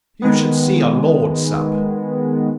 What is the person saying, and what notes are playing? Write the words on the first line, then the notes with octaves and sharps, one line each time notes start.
You should see a lord sup.
D#3 G#3 B3